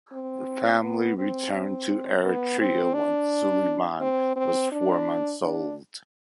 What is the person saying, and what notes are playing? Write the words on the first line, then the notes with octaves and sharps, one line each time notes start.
The family returned to Eritrea when Sulieman was four months old.
C4
B3
C4
C4
B3
C4
D4
C4
C4
D4
D4